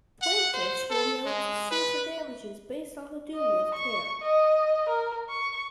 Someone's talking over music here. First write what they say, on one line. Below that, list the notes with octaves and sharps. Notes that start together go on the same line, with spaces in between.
Plaintiffs will be able to sue for damages based on the duty of care.
F#5
C5
A4
G#3
B4
D#5
C#6
D#5
A#4
C#6